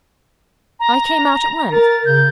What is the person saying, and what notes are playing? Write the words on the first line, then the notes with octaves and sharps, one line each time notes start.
I came out at once.
A#5
A#4 A6
C#3 G6